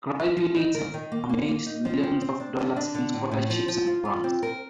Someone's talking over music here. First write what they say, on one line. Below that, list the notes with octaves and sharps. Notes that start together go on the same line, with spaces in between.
Graduates have amassed millions of dollars in scholarships and grants.
F3
F3
D#4
A#4
D#3
A#3
A#3
A#3
D#4
F3
C4
C4
D4
D3
D4
D3
A2
A2
F3
F3
F4
F4
C4
A#4